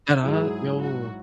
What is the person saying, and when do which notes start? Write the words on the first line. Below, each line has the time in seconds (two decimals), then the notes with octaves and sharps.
And I yo
0.23 G#2 F#3 E4 G#4
0.82 F#4